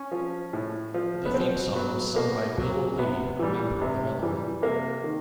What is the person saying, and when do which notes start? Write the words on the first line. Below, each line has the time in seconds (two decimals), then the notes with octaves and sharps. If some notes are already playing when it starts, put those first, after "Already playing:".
The theme song was sung by Bill Lee, a member of the Mellomen.
Already playing: C#4
0.12 F3
0.53 A2
0.94 F3
1.26 B3
1.34 B2 C4
1.75 F#3 B3
2.16 B2 A#3
2.58 F#3
2.99 C3 B3
3.39 E3 G3
3.82 C3
4.23 E3 G3
4.62 C3 A#3
5.04 D#3